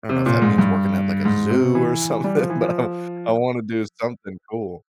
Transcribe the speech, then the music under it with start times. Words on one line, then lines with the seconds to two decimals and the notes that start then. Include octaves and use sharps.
I don't know if that means working at, like, a zoo or something, but I want I wanna do something cool.
0.09 C3
0.26 A#2
0.42 G#2
0.58 G2
1.25 G#2
1.50 C3
1.75 E3
2.24 G3
2.37 F3
2.50 E3
2.61 F3